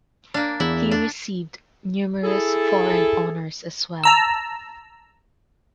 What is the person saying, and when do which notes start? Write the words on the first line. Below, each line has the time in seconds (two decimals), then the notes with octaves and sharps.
He received numerous foreign honours as well.
0.34 A#3 D4
0.60 E2 E4
0.91 D4
2.24 E4 G#4 A4
4.04 A5 A#5 E6